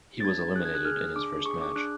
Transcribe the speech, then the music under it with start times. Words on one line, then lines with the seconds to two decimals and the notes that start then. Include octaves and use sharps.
He was eliminated in his first match.
0.20 A6
0.25 D4 G#6
0.55 G#4 F#6
0.65 G#6
0.75 F#6
0.85 G#4 F6
1.15 D4 D6
1.46 G#4 C#6
1.61 D6
1.76 D4 F#6